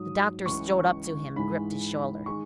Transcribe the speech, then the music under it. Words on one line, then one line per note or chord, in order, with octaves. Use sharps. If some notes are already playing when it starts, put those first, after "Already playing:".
The doctor strode up to him and gripped his shoulder.
Already playing: G#2 F#3 D#6
C#2 C#3 E3 C#6
G#2 E3 G#3 B5
D#3 G#3 C#6